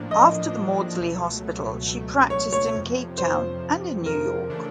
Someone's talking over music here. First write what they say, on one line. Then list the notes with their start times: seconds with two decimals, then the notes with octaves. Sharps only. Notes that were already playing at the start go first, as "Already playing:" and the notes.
After the Maudsley Hospital she practised in Cape Town and in New York.
Already playing: A2 F3 A#3 D4
0.11 D#5
1.00 C#2 B2 F#3 A3
2.30 C#5
2.53 C#5
2.74 F2 C3 F3
3.18 C5
4.06 A#4
4.50 C#3 E3 A3 D4